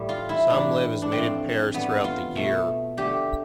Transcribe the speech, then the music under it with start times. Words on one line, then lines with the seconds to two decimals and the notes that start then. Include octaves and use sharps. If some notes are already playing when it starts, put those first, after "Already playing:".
Some live as mated pairs throughout the year.
Already playing: A2 G3
0.09 F4
0.29 E4
0.49 A2 E3 G3 D4
1.02 D4
1.11 A2 F3 A3 C4
1.74 A2 G3 B3
2.04 F4
2.35 B2 A3
2.97 D3 A3 G4